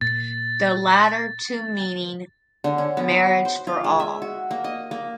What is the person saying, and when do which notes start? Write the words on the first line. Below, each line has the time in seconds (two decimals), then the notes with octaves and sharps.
The latter two meaning "marriage for all".
0.01 A#2 A6
2.64 D3
2.78 C#4
2.97 B3
3.11 F#4
3.45 C5
3.67 F4
3.84 G#3
4.00 E5
4.22 F#4
4.51 A#3
4.64 D#5
4.91 A#3